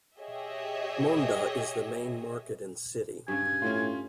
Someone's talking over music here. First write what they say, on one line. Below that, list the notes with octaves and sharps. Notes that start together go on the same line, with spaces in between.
Mondha is the main market in city.
G4 G#4 C#5 D#5 E5
G2 C#3 G#5
A2 C#4 F4